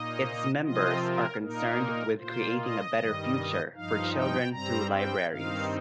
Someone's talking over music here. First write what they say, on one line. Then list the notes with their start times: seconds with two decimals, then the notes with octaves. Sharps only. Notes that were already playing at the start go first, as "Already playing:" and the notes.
Its members are concerned with creating a better future for children through libraries.
Already playing: A#2 A#3 D#4 D#5
0.64 C3 F3 C4 F4 D#5
1.02 A#4
1.41 A#2 A#3 D#4 A#4
2.19 A#2 A#3 F4 C5
2.57 D#5
2.96 G2 D#3 G3
3.74 G2 F3 D#4 F5
4.14 G5
4.52 G2 G3 C4 A#5
4.91 G5
5.30 G2 D#3 C4 D#4 F5